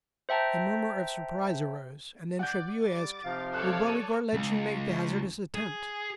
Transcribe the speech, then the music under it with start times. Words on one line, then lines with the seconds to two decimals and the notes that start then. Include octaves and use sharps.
A murmur of surprise arose, and then Trabue asked: "Will Beauregard let you make the hazardous attempt?"
0.29 C5 E5 G5 A5 A#5
2.39 D5 F#5 G6
2.83 G3 D6 A6
3.25 C3 F3 D#4 F4 F5
3.54 A4 C#5 D5 F#6
3.87 D#7
4.33 C#2
5.55 G#4